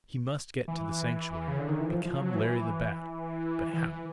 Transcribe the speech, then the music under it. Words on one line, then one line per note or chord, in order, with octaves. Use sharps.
He must get to the Sanctuary, become Larry the Bat--but how?
E3
C#3
D3
D#3
E3
F3
F3
F#3
E3
E3